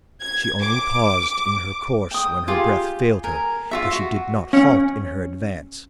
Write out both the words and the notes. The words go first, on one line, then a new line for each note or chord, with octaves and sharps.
She only paused in her course when her breath failed her; but she did not halt in her advance.
G#6
D6
G5 D#6
F4 G4 G#4
A#4 G#5
F4 F#4 E5
F#4
C#4